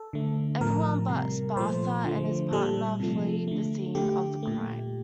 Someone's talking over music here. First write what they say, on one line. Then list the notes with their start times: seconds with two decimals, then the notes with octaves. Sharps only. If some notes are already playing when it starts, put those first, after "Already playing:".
Everyone but Sparser and his partner flee the scene of the crime.
Already playing: A4
0.13 D3 A3
0.61 A2 F3 A3 A#4
1.09 C3 G3
1.56 A#2 F3 A3 C5
2.05 D3 F3 A3
2.51 A#2 G3 A4
3.00 C3 F3 A3
3.48 D3 A3
3.95 D3 A3 G4
4.43 A#2 A3